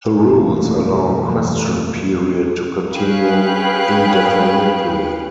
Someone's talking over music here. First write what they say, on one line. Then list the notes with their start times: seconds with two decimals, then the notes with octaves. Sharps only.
The rules allowed question period to continue indefinitely.
0.19 F#1 E2 B2 G3 A3 A#3
2.94 C#4 G#4 B4 F5 G5 F#6